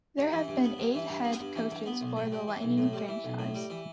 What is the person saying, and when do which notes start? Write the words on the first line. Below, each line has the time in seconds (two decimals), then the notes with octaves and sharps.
There have been eight head coaches for the Lightning franchise.
0.18 G2
0.32 E3
0.48 G2
0.64 B3
0.78 G2
0.95 E3
1.09 G2
1.25 B3
1.40 G2
1.56 E3
1.71 G2
1.86 B3
2.01 B1
2.17 A2
2.32 G3
2.48 E3
2.63 B1
2.78 A2
2.93 G3
3.08 E3
3.24 B1
3.39 A2
3.54 G3
3.70 E3